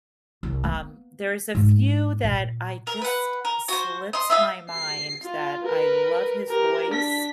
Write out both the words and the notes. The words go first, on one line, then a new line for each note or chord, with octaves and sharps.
Um, there's a few that I just slips my mind that I love his voice,
C2
A#3 B3
G#2
A#2
A#4
B4 F#5
A#4
F#4 C5
D#5 C6
F4 D#5 E5
C7
F4
A#4 B4
G4 A#4
D4 B6